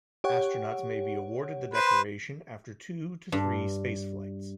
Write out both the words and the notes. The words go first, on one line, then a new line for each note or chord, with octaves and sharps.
Astronauts may be awarded the decoration after two to three space flights.
G4 C#5 F#5
B4 C5
G2